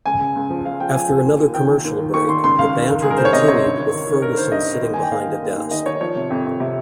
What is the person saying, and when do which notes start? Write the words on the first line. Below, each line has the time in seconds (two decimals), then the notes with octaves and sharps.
After another commercial break, the banter continued with Ferguson sitting behind a desk.
0.06 C#2 G#5
0.20 C#3
0.35 C#2
0.50 F3
0.65 F3 F5
0.80 F3 G5
0.95 F3 G#5
1.10 F3
1.25 D#2
1.39 D#2
1.54 D#3 G5
1.69 D#3
1.84 D#2
1.99 D#3
2.14 D#2 C#6
2.29 D#3 C6
2.43 C#2 C6
2.59 C#2 F5
2.73 D#3
2.88 D#3
3.02 C#2 G#4
3.10 A#4
3.17 C#2 C5
3.25 C#5
3.33 C3 D#5
3.48 C#2 C#5
3.63 G2
3.78 D#3
3.92 D#3
4.08 D#3
4.22 G2 A#4
4.37 D#3 C5
4.52 G2 D#5
4.67 D#3
4.82 D#2
4.93 D#3 G#5
5.03 G5
5.11 D#2 F5
5.27 D#3
5.42 D#2
5.57 D#2
5.71 D#3 D#5
5.86 D#3 C#5
6.01 F3 C#5
6.16 C3
6.30 F2
6.46 F2
6.60 C3